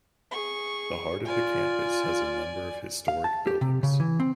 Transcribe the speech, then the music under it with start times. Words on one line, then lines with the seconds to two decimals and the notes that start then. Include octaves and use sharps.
The heart of the campus has a number of historic buildings.
0.31 G#4 C#6
1.25 F4 D5 G#5
3.08 F5
3.24 A5
3.47 G4
3.61 C3
3.83 C#3
4.00 E3
4.20 C4